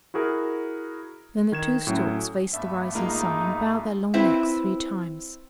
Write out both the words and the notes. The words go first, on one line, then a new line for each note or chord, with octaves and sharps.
Then the two storks faced the rising sun, and bowed their long necks three times.
E4 F#4 G#4 A#4
D#3 G#6 E7
A2 F#3 C#4
G2 A3 B3 E5
G#3 A#3 D#4 F4
C4 E4 B4 C5 E5